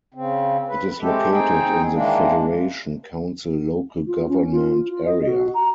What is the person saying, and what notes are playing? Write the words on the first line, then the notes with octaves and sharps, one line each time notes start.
It is located in the Federation Council local government area.
C#3 C4
B4
G#3 A3 C4 G4 A4
C4 D#4 G#4 G5
D#3 E3 G#3 A#3 D4
F4
C#4
F4
F4
D#5
F#4
A#5